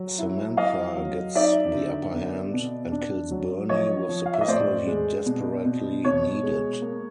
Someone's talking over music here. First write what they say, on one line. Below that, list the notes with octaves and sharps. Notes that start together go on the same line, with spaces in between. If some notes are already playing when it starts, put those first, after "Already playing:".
Samantha gets the upper hand and kills Bernie with the pistol he desperately needed.
Already playing: F#3
E4
F#3 D#5 F5
F#3
D#4 D5 E5
D3
B3
B2
D4
F#3
F3 C#5 D#5
F3
F5
E5
D#5
A2 C5 D5
G#3
B2
B2
B2 C#5
G#3
A#3